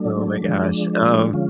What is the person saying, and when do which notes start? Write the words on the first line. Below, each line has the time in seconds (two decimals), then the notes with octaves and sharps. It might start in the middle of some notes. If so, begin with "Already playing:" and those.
Oh my gosh, um
Already playing: F#3 A3 D4
0.41 F3 G#3 D4
1.33 D3 F3 G#3 C#4 F4